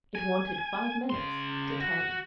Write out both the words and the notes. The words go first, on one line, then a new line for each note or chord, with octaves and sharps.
It wanted five minutes to ten.
G#5
C#3 C6
F#4